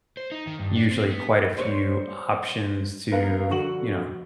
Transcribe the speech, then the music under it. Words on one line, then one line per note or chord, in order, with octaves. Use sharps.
usually quite a few options to, you know,
C5
D#4
D#3
G2
D4
C4
B3
G3 B3 C5 C#5 C#7
G#2 B3 A#4 B4 F5
C2 F2 D3 F#4 C#6 F#7